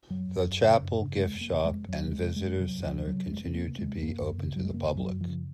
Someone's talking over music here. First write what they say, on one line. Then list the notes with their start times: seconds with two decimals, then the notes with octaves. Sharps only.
The Chapel, Gift Shop, and Visitors Center continue to be open to the public.
0.10 F#2 F#3
0.28 F#2
0.46 F#2
0.64 C#3
0.81 F#2
1.00 C#3
1.17 C3 G#3
1.35 F2
1.41 A#3
1.53 C3
1.65 G#3
1.71 F2
1.88 F2 F#3
2.06 C3
2.12 G#3
2.25 C3
2.36 G#3
2.42 F2
2.60 C3 F#3
2.78 F2
2.84 F3
2.95 C3
3.07 F#3
3.13 C3
3.31 F2 G#3
3.44 C3 C4
3.55 A#3
3.67 C3
3.78 G#3
3.84 C3
4.02 F#2 A#3
4.21 F#2
4.38 C#3
4.56 F#2 F#3
4.65 G#3
4.74 C#3 A#3
4.92 F#2
4.97 F#3
5.10 F#2
5.21 F3
5.27 C#3